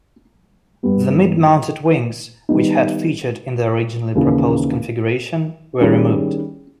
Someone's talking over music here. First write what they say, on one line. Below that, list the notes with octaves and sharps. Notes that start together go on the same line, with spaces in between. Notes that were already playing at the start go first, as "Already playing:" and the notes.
The mid-mounted wings which had featured in the originally proposed configuration were removed.
G2 G3 B3 G4
D#3 G3 B3 D#4
D#2 C#3 E3
D#3 G3 C#4 E4 G#4